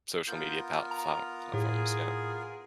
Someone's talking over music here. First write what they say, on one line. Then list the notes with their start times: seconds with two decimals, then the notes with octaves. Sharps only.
social media palt flaut platforms, yeah.
0.28 B3 F4 A#4 G6
0.91 A#5
1.54 A2 G#4